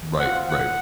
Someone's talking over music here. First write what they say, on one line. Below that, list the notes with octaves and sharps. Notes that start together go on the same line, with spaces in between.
Right, right.
C4 F4 F#5
F#5